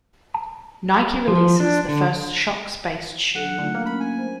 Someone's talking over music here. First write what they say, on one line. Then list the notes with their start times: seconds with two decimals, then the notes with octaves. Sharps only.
Nike releases the first Shox based shoe.
1.28 F3
1.60 D4
1.88 D3
3.35 F#3 D4 F#5
3.58 D3 A3 D#4 F4
3.75 A#3 F6
3.86 C#4 B5
4.00 G#5
4.18 C5